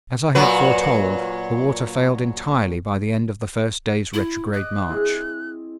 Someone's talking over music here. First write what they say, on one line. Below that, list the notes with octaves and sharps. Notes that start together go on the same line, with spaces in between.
As I had foretold, the water failed entirely by the end of the first day's retrograde march.
A#2 F#3 B4
E4
D#5 D6 F#6
C4 E4 G#4